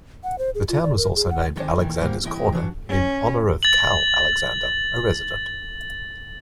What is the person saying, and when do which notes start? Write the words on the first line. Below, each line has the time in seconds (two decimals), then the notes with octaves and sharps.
The town was also named Alexander's Corner in honor of Cal Alexander, a resident.
0.24 F#5
0.38 C5
0.55 G#4
0.69 F4
0.83 D5
0.97 A#4
1.16 G#4
1.30 F#5
1.56 D3 D#3 G#3 B3 C4 D4
1.77 A#2 D#3 E3
2.00 G#2 D3 G3 A#3 G4
2.24 E2 C3 E4 D#5 G5
2.52 E3 D4 F#4
2.89 C#4
3.63 A6 F#7